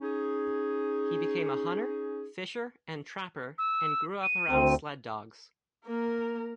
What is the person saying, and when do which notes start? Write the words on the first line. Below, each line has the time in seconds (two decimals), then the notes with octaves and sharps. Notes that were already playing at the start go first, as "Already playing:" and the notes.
He became a hunter, fisher, and trapper, and grew up around sled dogs.
0.02 C#4 D#4 G#4
3.58 E6
4.23 D#7
4.49 D2 C4
5.86 A#3 A#4